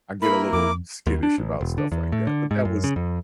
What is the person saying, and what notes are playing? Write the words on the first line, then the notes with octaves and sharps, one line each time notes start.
I get a little skittish about stuff like that, but that was
A#3 E4 A#4 B5
F2 D6
D#2
D4
A1
E1
D3
E2
A2
D3
G#2
F#2
C#3
F2